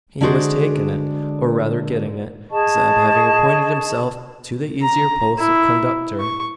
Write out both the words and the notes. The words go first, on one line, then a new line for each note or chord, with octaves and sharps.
He was taking it, or rather getting it--Zeb having appointed himself to the easier post of conductor.
D3 G#3 D4 F#4 G#4 C5
G#4 D#5 A5 C#6
A#5
E4
C#6